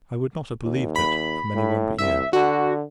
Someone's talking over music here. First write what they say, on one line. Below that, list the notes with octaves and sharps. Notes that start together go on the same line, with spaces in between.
I would not have believed it, from any one but you!
D#2
B5
A2
C2 E5
D3 F#4